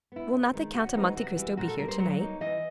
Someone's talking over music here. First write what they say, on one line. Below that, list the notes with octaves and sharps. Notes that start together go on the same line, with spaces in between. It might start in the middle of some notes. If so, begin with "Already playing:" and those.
"Will not the Count of Monte Cristo be here to-night?"
B3 E4
C3
D#3 G#3
C#3 F#4
E3 G#3 C4 D#4
C3 F#4
E3 G3
A#2 F#4
A4
G3 A#3 A#4
C5
F#3 C#5
A#3 D#4
E3 D#5